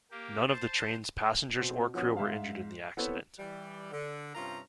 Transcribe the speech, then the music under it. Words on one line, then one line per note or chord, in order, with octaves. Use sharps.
None of the train's passengers or crew were injured in the accident.
A#3 G4
C5 A5
B2 C4
F3 B3 C#4 F#4 D#6
G#2 E5 F5
B3 C4 E4 A4 B4 C#5
E3 G3
D3
G2 C3 C#4 F4 A#5